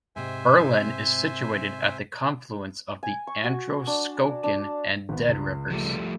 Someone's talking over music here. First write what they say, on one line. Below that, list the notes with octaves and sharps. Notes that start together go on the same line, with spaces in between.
Berlin is situated at the confluence of the Androscoggin and Dead rivers.
G#2 C3 C5 E5 G#5
G#5
C#6
F#4
D4
D4
G#1 B3
C#2
F3 G3 A3